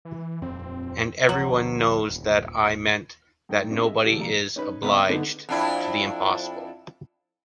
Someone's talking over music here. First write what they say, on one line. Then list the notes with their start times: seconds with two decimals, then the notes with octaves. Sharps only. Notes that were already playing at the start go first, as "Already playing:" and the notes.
And everyone knows that I meant that nobody is obliged to the impossible.
0.05 E3
0.42 D#1 F2 C4
1.29 G1 D2 F3 F#3
2.09 D#1
3.49 F#2 A3 D#4 G5
3.71 B3 C4 D4 E4 F4 A#4
3.84 G#4 D#5 E5
4.04 A1 D2 F#3 G4 A4
4.18 B1 E2 G3 A#3 D5 A#5
4.56 C#4 D#4 B4
4.83 C#2 B3 B4 D#5 E5
5.09 D3 A3 B3 D#4
5.49 F2 D4 E4